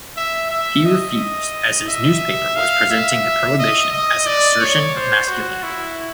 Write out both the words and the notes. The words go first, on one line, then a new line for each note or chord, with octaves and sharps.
He refused as his newspaper was presenting the prohibition as an assertion of masculinity.
E5
E5
D#5
E5
F5
E5
D#5
D#5
D5
C#5
C5
F#4
E4